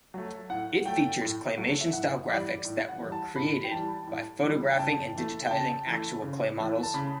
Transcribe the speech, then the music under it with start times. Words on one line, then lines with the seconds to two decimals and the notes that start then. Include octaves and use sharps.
It features claymation-style graphics that were created by photographing and digitizing actual clay models.
0.14 F#3 A3
0.50 A2 F#5
0.85 F#3 A3 G5
1.21 A2
1.57 F#3 A3
1.81 E5
1.93 A2 F#5
2.28 E3 G3 D5
2.65 A2
2.88 F#5
3.00 E3 G3
3.12 A5
3.36 A2 B5
3.64 G5
3.72 E3 G3 A5
4.07 A2
4.43 E3 G3
4.71 G5
4.79 C#3 A5
5.14 E3 A3
5.46 G5
5.51 C#3 A5
5.87 E3 A3
6.22 C#3
6.58 E3 A3
6.83 A5
6.94 C#3 B5